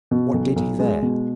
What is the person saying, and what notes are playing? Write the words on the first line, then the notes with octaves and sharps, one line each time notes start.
What did he there?
B2
B1
B1
G#3
B2